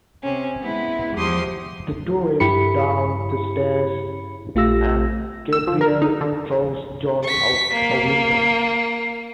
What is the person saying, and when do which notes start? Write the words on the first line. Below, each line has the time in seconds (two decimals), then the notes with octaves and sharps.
The two race down the stairs and Gabrielle throws John out a window.
0.24 C3 C#4
0.61 G#3 B3 E4
1.15 E2 F3 G4 C6 D#6
2.40 G2 E4 G4 B5 C#7
4.55 A#1 A3 F4 G4 E6 A#6
5.53 E6
5.67 F3
5.81 A#4
6.02 D#4
6.21 D3
7.24 C#6 B6
7.71 A#3